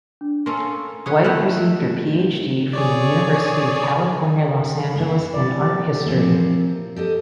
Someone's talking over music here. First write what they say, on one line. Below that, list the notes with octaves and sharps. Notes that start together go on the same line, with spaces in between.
Wight received her PhD from the University of California Los Angeles in art history.
D4
A#3 C#4 A4 C6
C#4 G#4 B4 D#6 C#7
A3 E4 F4 B4 G6 E7
G#4 C#5 D5
A#3 B3 E4
D5
G4 D5
E3 F3 A#3 C4
G4 A4 D#5